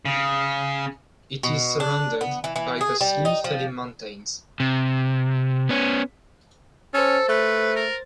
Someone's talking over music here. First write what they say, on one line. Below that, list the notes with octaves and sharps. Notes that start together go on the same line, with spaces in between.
It is surrounded by the Slieve Felim Mountains.
C#3
B2
D4
B3
E3
E3
G#4
G3
D#4
F3
C3
B3 C#4
C#4 A4 C5 A6
A3 B4
A#4